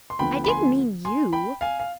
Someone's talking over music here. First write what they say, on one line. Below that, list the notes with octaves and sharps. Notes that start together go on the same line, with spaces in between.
'I didn't mean you!
C6
D2 D3 F3 B3 G5 B5
B5
G#5 C6
G#5 C6
G5 B5
F5 G#5
F5